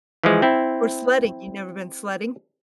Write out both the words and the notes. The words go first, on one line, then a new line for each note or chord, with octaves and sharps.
Or sledding. You never been sledding?
E3 F3 G#3
C4 E4